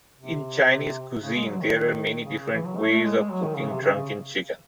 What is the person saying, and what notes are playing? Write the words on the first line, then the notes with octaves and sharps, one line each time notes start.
In Chinese cuisine there are many different ways of cooking drunken chicken.
C3
C#3
G#3
F#3
D#3
C#3
C#3
E3
F#3
A3
A3
G#3
G#3
F#3
D#3
C#3
C3
C#3
C#3